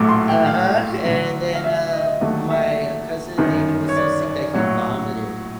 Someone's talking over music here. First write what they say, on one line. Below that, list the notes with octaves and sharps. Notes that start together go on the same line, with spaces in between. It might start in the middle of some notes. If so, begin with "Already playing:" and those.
Uh-huh, and then, uh, my cousin David was so sick that he vomited,
Already playing: A#1 A2 F#3 A3 D6
C6
G5
F5
D2 D3 F#3
F5
E5
D#5
E5
D#5
D#2 D3 F#3 A3
E5
G1 F#2 D#3
C#5
D5
D5
A#1 A2 F#3 C#5